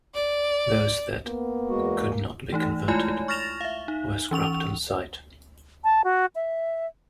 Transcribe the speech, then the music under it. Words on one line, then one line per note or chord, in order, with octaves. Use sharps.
Those that could not be converted were scrapped on site.
D5
A#3 B3
E2 G#3 F#4
E3 A3 D#4
G#3 A3 E4 F4 C#5 G#5
C#6 F6 A6 A#6 E7 F7
E5 F5
D#4
E3 C#4 C#6 F7
A5
F#4
E5